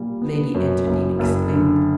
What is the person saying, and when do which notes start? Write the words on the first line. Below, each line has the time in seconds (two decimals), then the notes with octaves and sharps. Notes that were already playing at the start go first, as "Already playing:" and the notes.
Lady Enterdean exclaimed.
Already playing: A#2 G3
0.22 B3
0.54 F#2
0.87 F#1
1.19 F#1
1.51 D3